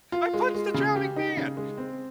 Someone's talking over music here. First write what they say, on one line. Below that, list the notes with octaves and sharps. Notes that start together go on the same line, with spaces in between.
I punched the drowning man!
F4
G#3
G#3
C#3
G4
D#4
C#3
G#3
C4